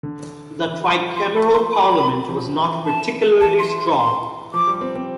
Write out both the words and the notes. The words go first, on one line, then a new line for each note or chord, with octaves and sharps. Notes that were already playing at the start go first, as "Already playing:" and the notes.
The tricameral parliament was not particularly strong.
D3
E3
G3
F3
C6
B5
C6
B5
F3
E3
A5
E3 A5
C6
C6
C6
F3 D6
G3
C4
C4